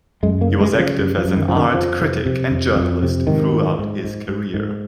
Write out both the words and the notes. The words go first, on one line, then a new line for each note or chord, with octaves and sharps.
He was active as an art critic and journalist throughout his career.
F#2 G#3
A#3
C#3
G#3
C#3
F3
F#2
F3
F#2
D#3
C#3 F3
D#3
F2 F3
C3
C3
F2
F2
C3
G#2 D#3
G#2
G#2
G#2
G#2
G#2